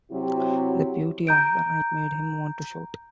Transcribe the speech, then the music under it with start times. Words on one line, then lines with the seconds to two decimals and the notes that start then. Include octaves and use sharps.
The beauty of the night made him want to shout.
0.11 C3 F#3 E4 F#4 G4
1.27 A#5 G6 D7